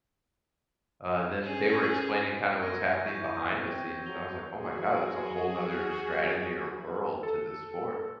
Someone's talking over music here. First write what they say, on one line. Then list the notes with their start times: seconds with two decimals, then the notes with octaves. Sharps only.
Uh, and then they were explaining kinda what's happening behind the scenes, and I was, like, "Oh my god. There's a whole nother strategy or world to this sport."
1.42 C#4 G#4
2.62 B3 G#6 A#6 D#7
3.06 E3 C#6 G6
3.62 C4
4.06 F#3 F7 G7
4.54 F#3 F#4 G#4
7.23 A4